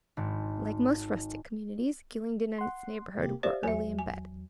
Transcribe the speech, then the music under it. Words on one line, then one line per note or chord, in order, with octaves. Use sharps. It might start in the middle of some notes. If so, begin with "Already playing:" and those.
Like most rustic communities, Gylingden and its neighbourhood were early in bed.
G#1 G#2
F#5 C6
C3 A#3 G4
G4 C5 D5 E5 F5
E2 F#3 E5 G#5
G#5